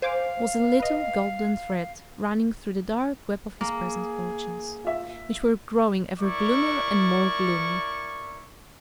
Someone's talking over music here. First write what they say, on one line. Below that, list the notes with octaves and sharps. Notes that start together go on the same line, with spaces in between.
It was a little golden thread running through the dark web of his present fortunes; which were growing ever gloomier and more gloomy.
C5 F5 G#5 D6
B4 D#5
A#3 G#4
F4 E5
E4 A#4 D5 C#6